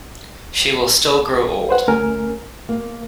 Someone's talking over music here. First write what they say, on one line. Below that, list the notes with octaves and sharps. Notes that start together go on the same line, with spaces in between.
She will still grow old.
B4 C5 F#5
D2 A3 C#4 A#4 G#5 F6
A#3